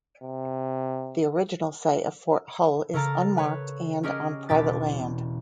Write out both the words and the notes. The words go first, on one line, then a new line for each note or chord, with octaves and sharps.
The original site of Fort Hull is unmarked and on private land.
C3
C#3 A4 A#4 A#5 A6
B4 C#5
C#4 G4 G#4 A#4 D#5
E1 B2 G4 A6